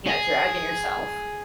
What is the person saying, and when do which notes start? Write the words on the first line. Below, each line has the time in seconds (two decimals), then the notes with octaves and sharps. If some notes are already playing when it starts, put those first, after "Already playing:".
Yeah, dragging yourself.
0.07 G#4